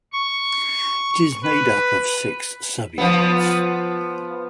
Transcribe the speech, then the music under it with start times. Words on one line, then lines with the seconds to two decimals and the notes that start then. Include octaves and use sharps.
It is made up of six subunits.
0.12 C#6
1.43 B4
2.98 F3 B3